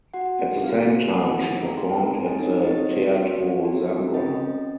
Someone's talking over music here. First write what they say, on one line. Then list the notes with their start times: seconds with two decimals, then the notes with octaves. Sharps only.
At the same time she performed at the Teatro Zambra.
0.14 F#4 F#5
0.39 C4
0.63 F#4 F5
0.88 C4
1.13 F#4 F#5
1.38 C4
1.63 C4 A#5
1.77 C6
1.89 C4
2.02 A#5
2.14 C4 G#5
2.27 D#5
2.39 D#4 C#5
2.51 C#5
2.64 C4 D#5
2.89 F#4
3.14 F#4 C#5
3.40 C4
3.65 F#4
3.89 C4
4.14 C#4 D#5
4.40 C#4